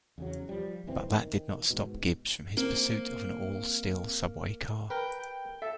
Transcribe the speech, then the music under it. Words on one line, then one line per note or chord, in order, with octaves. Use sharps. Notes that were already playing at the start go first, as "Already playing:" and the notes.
But that did not stop Gibbs from his pursuit of an all-steel subway car.
E2 C#3 F#3
F3 G3
D1 G1 E3 C4
D#3
G#2 B2
A#3 C4
A#4 B4 G5
G5
A4 E5